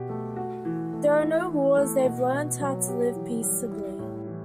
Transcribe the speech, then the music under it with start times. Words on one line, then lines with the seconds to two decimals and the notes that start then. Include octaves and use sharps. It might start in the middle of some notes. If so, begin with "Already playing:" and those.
There are no wars, they've learned how to live peaceably.
Already playing: B2 G4
0.09 A3
0.36 F#4
0.65 E3
0.93 A3
1.21 E4
1.49 E3
1.77 A3
2.04 B2
2.33 B2
2.61 F#3
2.88 G4
3.15 E3
3.43 G3
3.71 E4
3.99 A2
4.27 E3